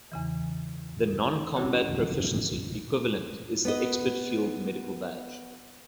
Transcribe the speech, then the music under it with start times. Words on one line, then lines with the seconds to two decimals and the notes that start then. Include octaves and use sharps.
The non-combat proficiency equivalent is the Expert Field Medical Badge.
0.12 E2 C#3 E3
1.56 G3 C#4 E4 F#4 C#5 F#5
3.65 B3 B4 D#5